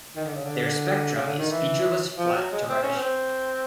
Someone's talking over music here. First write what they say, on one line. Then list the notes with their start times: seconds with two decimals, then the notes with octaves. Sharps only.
Their spectrum is featureless flat to reddish.
0.16 D#3
0.25 D3
0.35 C#3
0.45 D3
1.15 C#3
1.27 D3
1.39 D#3
1.51 E3
2.18 F3
2.35 F#3
2.52 G#3
2.69 C4
2.83 C#4
2.96 C4